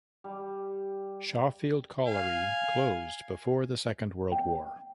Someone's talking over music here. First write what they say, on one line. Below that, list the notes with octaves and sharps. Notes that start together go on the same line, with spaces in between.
Shawfield Colliery closed before the Second World War.
G3
F5 G#5
G5